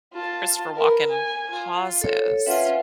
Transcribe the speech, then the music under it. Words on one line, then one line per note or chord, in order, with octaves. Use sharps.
Christopher Walken pauses,
F4 A5
A#4 B4
G#5
F4
A4 C#5
C#4 F4 B4 E5 F#5